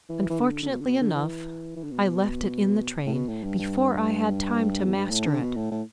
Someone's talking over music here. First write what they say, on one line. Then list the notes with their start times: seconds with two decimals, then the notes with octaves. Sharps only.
Unfortunately enough I left it in the train before I had time to master it.
0.09 E3
0.30 E3
0.40 D3
0.62 D3
0.70 B2
0.80 D3
0.86 B2
1.01 D3
1.16 E3
1.76 E3
1.84 D3
1.91 B2
3.06 A2
3.14 B2
3.28 A2
3.43 G2
3.59 G2
4.85 E2
4.95 G2
5.11 A2
5.26 D3
5.41 B2
5.56 A2
5.71 A2